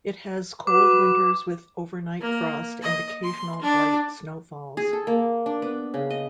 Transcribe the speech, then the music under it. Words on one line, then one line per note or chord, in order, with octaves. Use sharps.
It has cold winters with overnight frost and occasional light snow falls.
F#4 B4 D6
A#3
D#5
C6
D4
G#4
A4
A#3
D4
B3
C#3
D#5